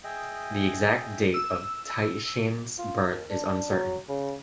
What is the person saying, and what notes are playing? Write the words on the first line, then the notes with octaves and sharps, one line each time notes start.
The exact date of Titian's birth is uncertain.
G#4 D#5 E5 G5
E6
F4
D#2
D4
F#3
C#3